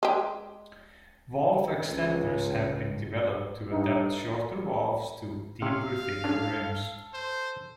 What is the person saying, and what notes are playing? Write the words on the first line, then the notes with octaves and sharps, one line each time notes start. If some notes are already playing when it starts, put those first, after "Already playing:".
Valve extenders have been developed to adapt shorter valves to deeper, thicker, rims.
G#3 G4
C#2
G2 D#4
C3 C#4 F5
C#4 D4 A4
C5